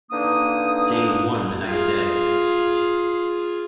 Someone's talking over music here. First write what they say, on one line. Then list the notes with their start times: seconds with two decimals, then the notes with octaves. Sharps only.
Sain won the next day.
0.11 D3 E3 A#3 D4 D#4 D#6
1.65 F4 G#4